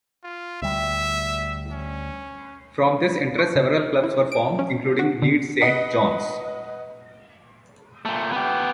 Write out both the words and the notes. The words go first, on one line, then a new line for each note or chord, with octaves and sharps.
From this interest several clubs were formed, including Leeds Saint John's.
F4
D2 G3 E5
C#4
C#6
C#3
E4
D7
C#4
F#4
D3
B4 D#5 F#5 B6
A#2 A3
B3 G4